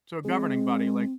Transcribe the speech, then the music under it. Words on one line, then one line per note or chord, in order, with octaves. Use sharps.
So, a governing body, like
G#3 C4